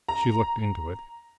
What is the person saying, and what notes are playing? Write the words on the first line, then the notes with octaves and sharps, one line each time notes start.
She looked into it.
A#5